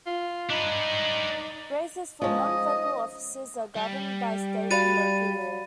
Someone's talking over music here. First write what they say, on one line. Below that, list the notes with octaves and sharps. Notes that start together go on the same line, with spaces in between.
Races for non-federal offices are governed by state and local law.
F4
D4 D#4 B4
F3 G#3 C#4 D#4 D#5
G3
F#4 D5 F5 B5 A6 D#7